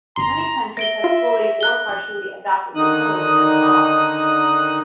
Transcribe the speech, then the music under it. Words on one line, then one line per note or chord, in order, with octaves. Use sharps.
Many countries have fully or partially adopted the Code as law.
G1 A#5 C6
E5 A#6 D7 G7
F4
F#6 G7
D3 D#3 D#4 D#6 F#6